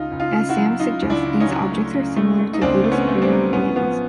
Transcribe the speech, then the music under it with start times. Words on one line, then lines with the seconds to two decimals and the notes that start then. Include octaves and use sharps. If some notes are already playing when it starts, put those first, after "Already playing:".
As Sam suggests, these objects are similar to Buddhist Prayer wheels.
Already playing: C#2 D#4 F4
0.12 C#2
0.20 D#4 F4
0.35 C#3
0.49 E4 F#4
0.56 F#3
0.80 C#3 D#4 F4
1.02 C#2
1.10 D4 E4
1.25 C#3
1.40 C#4 D#4
1.48 F#3
1.71 A3
1.94 C#3
2.16 A3
2.38 A3
2.54 D#4
2.61 C#2 C4 D4
2.84 A3
2.92 B3 C#4
3.07 A3
3.22 C4 D4
3.30 F#3
3.52 A1 B3 C#4
3.75 F3 B3